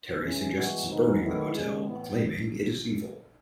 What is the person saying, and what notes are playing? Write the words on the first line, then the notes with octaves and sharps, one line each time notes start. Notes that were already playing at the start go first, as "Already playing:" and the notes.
Terry suggests burning the motel, claiming it is evil.
E3 G#3 C#4
E3 G#3 B3 F#4
G#2 D#3 F#3 B3 D#4
D#3 F#3 A3 E4 B4
D#2 C#3 G#3
A2 E3 B3